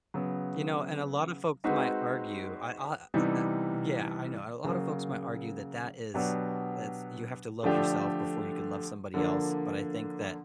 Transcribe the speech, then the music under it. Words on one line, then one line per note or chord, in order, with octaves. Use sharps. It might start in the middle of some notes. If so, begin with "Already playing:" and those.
You know, and a lot of folks might argue I aw i uh yeah, I know, a lot of folks might argue that that is that's you have to love yourself before you can love somebody else, but I think that,
C#3 F#3 B3
G#3 C4 D#4 F#4 B4
C3 E3 G3 B3 D#4
C#3 F#3 A#3
B2 F#3 B3 D4 G4
D3 F3 A3 D4 G4
D3 F3 A#3 D4